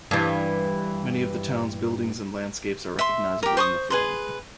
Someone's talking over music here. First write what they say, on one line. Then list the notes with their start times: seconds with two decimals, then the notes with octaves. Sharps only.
Many of the town's buildings and landscapes are recognizable in the film.
0.11 G2 E3
2.99 E5 C6
3.43 G4 A#4
3.57 C5 C#6 D#6
3.90 G#4 B4 C6